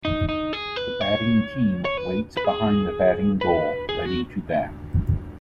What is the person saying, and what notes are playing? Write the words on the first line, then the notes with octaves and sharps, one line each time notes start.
The batting team waits behind the batting goal ready to bat.
D#4
D#4
G#4
B4
C#5
C#5
B4
B4
G#4
B4
G#4
F#4